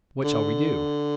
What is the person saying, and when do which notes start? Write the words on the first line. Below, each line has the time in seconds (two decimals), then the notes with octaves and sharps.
"What shall we do?"
0.24 D3